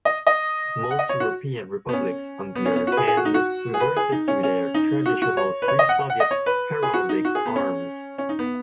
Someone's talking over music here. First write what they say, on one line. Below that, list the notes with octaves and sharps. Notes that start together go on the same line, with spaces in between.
Most European republics, on the other hand, reverted to their traditional pre-Soviet heraldic arms.
D#5
D#5
F#5
D#5
C#5
F#4
B3
C#4
B3
C#4
B3
C#4
F#4 B4
G#4
G#4
F#4
D#4
F#4
G#4
B4
G#4
D#4
C#4
C#4
D#4
F#4
F#4
C#5
B4
C#5
D#5
F#5
F#5
D#5
C#5
B4
G#4
F#4
D#4
F#4
G#4
B3
C#4
C#4
D#4
B3